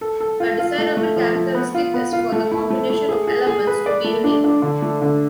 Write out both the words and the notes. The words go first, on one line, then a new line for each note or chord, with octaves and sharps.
A desirable characteristic is for the combination of elements to be unique.
A4
A4
F4
F4
A3
A3
F3
A3
B3
F4
B3
F4
A3
E4
A3
A3
G#4
G#4
G#4
B4
D5
A3
D4
D4
D3
A3
D3